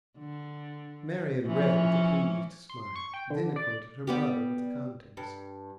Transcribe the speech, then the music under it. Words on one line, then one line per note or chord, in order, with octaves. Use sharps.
Marian read with a pleased smile, then acquainted her mother with the contents.
D3
E3 F3 C#4
C6
C#6
G5
D3
D5
G3 B3 G4
G2